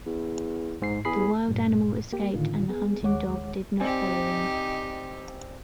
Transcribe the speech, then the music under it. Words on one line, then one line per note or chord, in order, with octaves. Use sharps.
The wild animal escaped and the hunting dog did not follow him.
E2
G#2 C7
E2 G#4 B5 C7
G2 A#2
A#3 G4
A2 D3 D#3 F4
B3 G#4
D#2 G#3 C#5 F#5 D6
C4 D#4 G4 D5 G#5